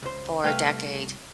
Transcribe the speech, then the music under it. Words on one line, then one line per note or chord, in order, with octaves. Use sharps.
for a decade.
C#2 C5
C2 A3 B4 F5 G5